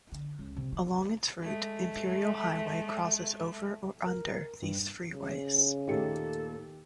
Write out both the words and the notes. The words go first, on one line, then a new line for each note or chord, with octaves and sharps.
Along its route, Imperial Highway crosses over or under these freeways.
D3
C#2
C3
E3
F#3
G#3 A3
A#4
G2
C#3
D#2 A#2 D#3 A3 G4 A4 C#7